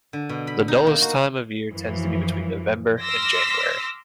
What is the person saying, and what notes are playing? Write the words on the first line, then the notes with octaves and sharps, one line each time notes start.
The dullest time of year tends to be between November and January.
D3
B2
B5
D#4
A#3
F#4
F#2 E3 F3
C6 D6 E6 F6 A#6 B6